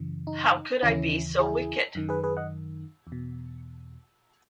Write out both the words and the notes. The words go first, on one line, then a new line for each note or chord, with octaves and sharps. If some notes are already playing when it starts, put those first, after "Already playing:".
How could I be so wicked?
Already playing: F#2 C#3 E3
D#4
D#2 C#3 E3 C#4 E4
E4 G#4
F#2 D#3
G#4 B4
G#4 B4
D#5 F#5
E2
B2